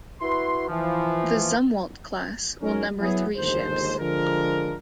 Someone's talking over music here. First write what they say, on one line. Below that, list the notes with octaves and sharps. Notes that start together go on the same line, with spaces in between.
The "Zumwalt" class will number three ships.
E4 F#4 B4 C6
E3 F3
F#2 C#4 D#4 A#4
F#3 B3 E4 G#4
G1 D#2 D#3 F3 G#3 C5
D3 F3 G#3 D4 F4 A#4